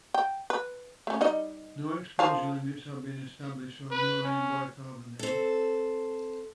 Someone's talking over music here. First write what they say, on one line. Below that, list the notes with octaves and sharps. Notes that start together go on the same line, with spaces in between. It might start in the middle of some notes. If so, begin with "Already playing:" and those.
No exposure limits have been established for Ammonium Bicarbonate.
G5
B4
A3 C#4
G3 D#4 D#5
F3 F5 A5
B4
C#4
C4 A4